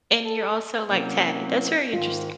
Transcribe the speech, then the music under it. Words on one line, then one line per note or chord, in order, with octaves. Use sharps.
and you're also, like, tatted, that's very interesting.
A4
C3 F#3 A#3 C#4 E4
G#2 D#3 F4